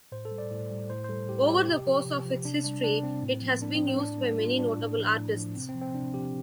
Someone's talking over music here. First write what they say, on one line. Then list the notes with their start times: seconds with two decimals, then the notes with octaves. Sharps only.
Over the course of its history, it has been used by many notable artists.
0.12 A2 C5
0.25 A4
0.31 G3
0.38 D5
0.51 A2
0.71 G3
0.90 A2 C5
1.04 C5
1.09 G3 A4
1.29 A2 G4
1.48 G3 G4
1.67 C3
1.86 F3
2.06 C3
2.25 F3
2.45 C3 D4
2.64 G3 D4
2.83 C3 D4
3.03 G3 C4
3.23 A2
3.42 F3
3.62 A2 D4
3.75 C4
3.81 F3
3.88 C4
4.00 A2 D4
4.20 G3
4.39 A2 F4
4.59 G3 D4
4.78 A2
4.98 F3
5.17 A2
5.36 F3
5.56 C3 C4
5.69 C4
5.75 F3
5.82 C4
5.94 C3 D4
6.14 F3 G4